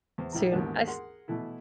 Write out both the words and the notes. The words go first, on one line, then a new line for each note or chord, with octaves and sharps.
soon, I s
E2 C5
A#1 E3 E4 A#5
D#2 G#2 E3 A#3 B3 D4
G#4 A#4 F#5 C6
B2 E3 A3 E4